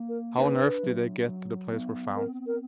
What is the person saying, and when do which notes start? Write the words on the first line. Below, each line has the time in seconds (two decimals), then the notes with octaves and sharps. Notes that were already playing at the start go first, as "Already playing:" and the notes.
How on earth did they get to the place where found?
Already playing: A#3
0.09 A#4
0.38 D4 B4
0.83 F#3
1.28 F#3
1.72 B3
2.16 C4 A#4
2.47 A#4